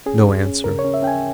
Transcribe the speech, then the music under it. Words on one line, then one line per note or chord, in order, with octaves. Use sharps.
No answer.
C#4 G#4
D#2
C#4
C#3 A#4
C#5
C#4
E5
C#4 G5 G#5